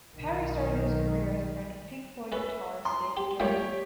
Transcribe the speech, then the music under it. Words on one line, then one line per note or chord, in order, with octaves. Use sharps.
Parry started his career as a friend of Pink Floyd guitarist David Gilmour.
B1 D#3
C#4 A4 B4 E5
C6
G4
G3 A3 A#3 G4 C#5